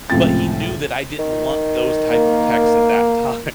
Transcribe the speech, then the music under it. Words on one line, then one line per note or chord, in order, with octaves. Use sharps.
but he knew that I didn't want those type of texts at that time,
C#2 A2 C3 F3 C4 A6
D#3
A#3